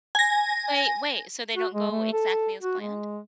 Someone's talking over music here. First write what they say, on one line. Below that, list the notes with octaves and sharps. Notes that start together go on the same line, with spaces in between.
Wait, wait, so they don't go exactly as planned?
G#5 A#6
F#4
G#3
A3
A4
F#4
G#3